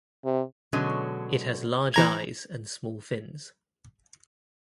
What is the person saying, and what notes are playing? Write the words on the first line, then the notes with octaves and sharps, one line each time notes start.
It has large eyes and small fins.
C3
B2 D3 F#3 G#3 C#4
E3 A#5 G#6